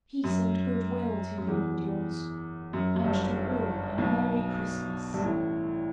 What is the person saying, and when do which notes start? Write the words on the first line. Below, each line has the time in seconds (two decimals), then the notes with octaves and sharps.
"Peace and good will to you and yours; And to all a Merry Christmas."
0.24 F#2
1.38 F#2
1.48 E2
2.73 F#2
2.95 F#2
3.04 G1 G2
3.98 B1 B2
5.14 G2
5.22 A1 A2